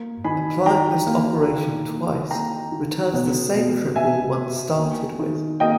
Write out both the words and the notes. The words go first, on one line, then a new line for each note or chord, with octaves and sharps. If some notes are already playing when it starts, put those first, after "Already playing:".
Applying this operation twice returns the same triple one started with.
Already playing: A#3
D#3 G#5 B5
D#3 G5 A#5
A#3
D#3
A#3
A#3 G5 A#5
D#3
B2
B2
B2 E5 G#5
B2
A#3
D#3
A#3 D#5 G5